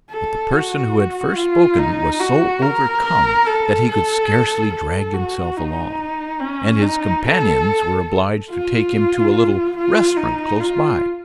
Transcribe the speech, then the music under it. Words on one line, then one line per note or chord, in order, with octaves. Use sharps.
But the person who had first spoken was so overcome that he could scarcely drag himself along; and his companions were obliged to take him to a little restaurant close by.
A4
F#4
F4
D#4
F#4
A#4
A#4
A4
A4
A4
F#4
D#4
C#4
D#4
A4
F4
F4
D#4
F4